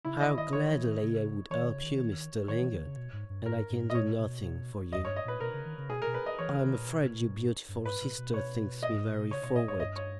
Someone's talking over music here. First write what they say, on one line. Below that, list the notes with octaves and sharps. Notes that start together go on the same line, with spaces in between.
How gladly I would help you, Mr. Lingard, and I can do nothing for you.--I'm afraid your beautiful sister thinks me very forward.
C#3 E4
D#3 D#5
D#3 D#5
D#3 C#5
E3
D#3
C#3
E3 C#5
D#3
C#3
D#3
D#3 C#5
E3
D#3
C#3
B2
G#2
G2
G#2 A#4
G#2
D#5
A#2 C#5
B2
E2 D#5
C#5
G2
D#5
A#2 B4
B2 A#4
C#3
D#3
C#3
B2 G#4
A#4
B2
B4
D#5
E3 C#5
D#3
A#2
B2
A#2
B2
G#2
G2
G#2 B4
A#2
B2
C#5
D#5
G#2
A#2
B2
C#3 C#5
B2 C#5
A#2 D#5
G#2 C#5
G2 D#5
C#5